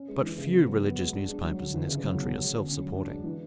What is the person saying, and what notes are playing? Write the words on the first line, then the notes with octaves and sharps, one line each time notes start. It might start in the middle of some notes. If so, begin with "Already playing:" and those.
But few religious newspapers in this country are self-supporting.
Already playing: C#4
G#3
E3
C#3
B3
F#3
B3
G#3
D4
G#3
F#3
D3
E3
C#3
F#3
B2
F#3
D3
C#4
F#3
D4
G#3
E3